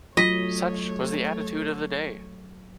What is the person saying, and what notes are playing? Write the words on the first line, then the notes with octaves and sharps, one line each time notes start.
Such was the attitude of the day.
F#3 A3 F4 C#5 D#5 B6